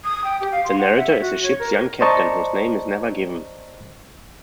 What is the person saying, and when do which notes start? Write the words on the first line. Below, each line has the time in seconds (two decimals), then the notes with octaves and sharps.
The narrator is the ship's young captain, whose name is never given.
0.04 D#6
0.24 G5
0.41 G4
0.52 F5
0.64 C6
0.78 F#5
0.96 E5
1.20 F#4
1.43 C#5
1.59 A#4
2.01 C5 D5 D#5 A5 A#5 C#6